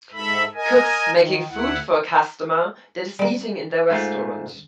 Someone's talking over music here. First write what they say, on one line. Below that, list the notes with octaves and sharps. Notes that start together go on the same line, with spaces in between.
Cooks making food for a customer that is eating in their restaurant.
G#2 A4 E5 B5
A#4 D#5 G#5
D#3
D2 E4 F#5
G3 A#3
G#2 A3 F4